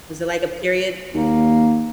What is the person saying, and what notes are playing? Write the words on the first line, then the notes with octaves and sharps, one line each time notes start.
Was it like a period
D#2 A#3